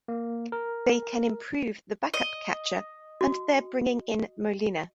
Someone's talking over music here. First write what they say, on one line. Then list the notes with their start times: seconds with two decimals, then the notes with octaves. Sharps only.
They can improve the backup catcher and they're bringing in Molina.
0.08 A#3
0.52 A#4
2.14 D#5
3.21 F#4